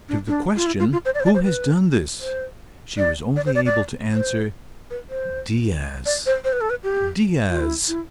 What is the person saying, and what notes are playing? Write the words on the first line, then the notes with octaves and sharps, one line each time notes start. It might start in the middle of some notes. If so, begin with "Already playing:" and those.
To the question, "Who has done this?" she was only able to answer, "Diaz--Diaz!"
D4
D4
F4
E4
F4
F4
C5
D5
C5
D5
C5
B4
C5
D5
D5
C5
D5
D5
C5
B4
C5
D5
C5
C5
B4
A4
B4
G4
F4
E4
E4